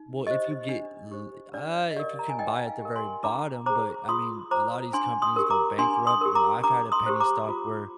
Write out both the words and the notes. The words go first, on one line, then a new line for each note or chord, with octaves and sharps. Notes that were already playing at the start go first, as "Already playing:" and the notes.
Well, if you get l uh, if you can buy at the very bottom, but I mean, a lotta these companies go bankrupt, and I've had a penny stock where
Already playing: D#4
G4 C5 D#5
D4
G4 C5
D4 D5
D#5
G4 A#4 D5 F5
A#5
G#5
D#4 D#5 G5
F5 G#5
G4 A#4
G#5 C6
D4 A#5 D6
G#4 C5 A#5 D6
F4 C6 D#6
C5 A#5 D6
D4 G#5 C6
C6 D#6
G4 A#4
A#5 D6
D4 G#5 C6
C6 D#6
G4 A#4
A#5 D6
D4 A#5 D6
C6 D#6
G4 C5
A#5 D6
F4